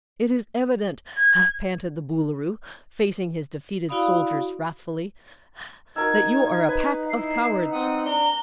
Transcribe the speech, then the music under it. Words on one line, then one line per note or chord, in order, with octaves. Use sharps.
"It is evident," panted the Boolooroo, facing his defeated soldiers wrathfully, "that you are a pack of cowards!"
G#6
E4 F#4 D5 F5 B5 D#6
D#4 F#4 A#4 E6 G#6
B4
E4 C7
C4 F#5 D#6
D4 A#5 G7